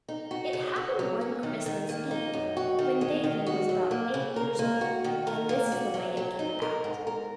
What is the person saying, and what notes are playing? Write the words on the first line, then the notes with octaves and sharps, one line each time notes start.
It happened one Christmas eve, when Davy was about eight years old, and this is the way it came about.
D#4
F#4
C#3
F#4
F#3
C#4
D#3
D#3
A#3
D#4
F#2
F#4
D#3
G#3
D#3
F#4
F#3
A#3
C#3
A#4
A#3
F#4
D#3
A#4
A#3
F#4
F#3
F#3
D#4
A#4
G#2
A#4